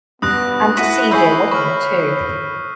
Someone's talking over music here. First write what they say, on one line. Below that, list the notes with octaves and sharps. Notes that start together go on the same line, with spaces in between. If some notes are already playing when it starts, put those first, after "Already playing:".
And to see dear Wickham too!
G2 B3 D#6 F#6 A#6
E4 F#4 F#6 B6 D#7
G#4 C#5 B5 E6 G6 C7
C#5 B5 C#6 F6